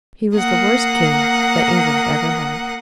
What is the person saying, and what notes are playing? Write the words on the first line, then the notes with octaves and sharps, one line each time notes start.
He was the worst king that England ever had.
A#3 F#5 D#6